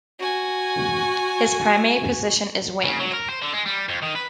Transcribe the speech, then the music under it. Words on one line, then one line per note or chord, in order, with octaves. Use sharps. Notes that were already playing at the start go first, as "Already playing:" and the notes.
His primary position is wing.
F#4 G#5
C#3
F#3
A#4
C5
D3
G#3
G3
F2
D#3
B4